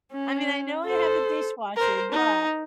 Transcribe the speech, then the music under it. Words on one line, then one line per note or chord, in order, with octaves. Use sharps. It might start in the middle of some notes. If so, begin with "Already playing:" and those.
mean, I know I have a dishwasher, but
C#4
A4 C5
A#4 C5
D#4